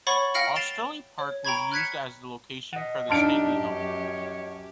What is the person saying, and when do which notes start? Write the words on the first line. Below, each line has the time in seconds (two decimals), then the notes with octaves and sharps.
Osterley Park was used as the location for the stately home.
0.07 C#5 F#5 B5 C#6 A6
0.34 F5 G5 F6 A#6 C#7 F#7
0.56 A6 C7 D7 E7 F7 G7
1.19 C#5
1.45 G5 A#5 B5 C#6 G#6
1.71 F6 F#6 G#6 B6 C#7
2.73 D#5 F#5
3.10 F#2 D4 D#4 G4 A5 F6 D7
3.66 C#5